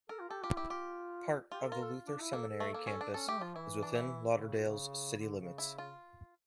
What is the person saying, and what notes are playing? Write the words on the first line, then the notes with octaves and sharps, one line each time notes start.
Part of the Luther Seminary campus is within Lauderdale's city limits.
A4 A#4
F4
G4 A4
F4 G4
E4 G4
F4 G4
F4 G4
A4
F4 A#4
A4
D4
E4
A#3 A4
A3
A#3
C#4
D4
C#4 A4
A3 G4
F3 F4
E3 E4
D4
E4
D3
C#3
A#2
C#3
D3
C#3
E4
F4